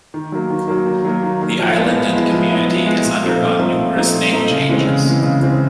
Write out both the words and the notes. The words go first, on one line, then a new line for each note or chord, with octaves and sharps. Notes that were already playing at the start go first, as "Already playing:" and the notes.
The island and community has undergone numerous name changes.
D#3
F#3 A#3
D#3
F#3 A#3
D#3
F#3 A#3
D#3
F#3 A#3
F3
G#3 B3 E4
F3
G#3 B3 E4
F3
G#3 B3 E4
F3
G#3 B3 E4
A#2
F3 A3 C4 D#4
A#2
F3 A3 C4 D#4
A#2
F3 A3 C4 D#4
A#2
F3 A3 C4 D#4
C#3
E3 G#3 C4
C#3
E3 G#3 C4
C#3
E3 G#3 C4